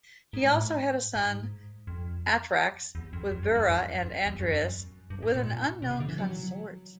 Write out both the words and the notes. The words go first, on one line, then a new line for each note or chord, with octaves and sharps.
He also had a son Atrax with Bura, and Andreus with an unknown consort.
G#2
A2
G#2
F2
E2
F2
F2
F#2
G2
F2
F2
E2
F#2
G2
G#2
A#2
B2
C3
D3
E3
F#3